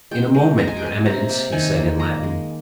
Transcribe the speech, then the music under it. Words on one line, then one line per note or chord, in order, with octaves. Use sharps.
"In a moment, your Eminence," he said in Latin.
G#3 G5
G#3
G#3 A#5
G#5
G5
G#3 G#5
C3 A#5
A#3
D#3 G#5
A#3
G#3 A#5
G#3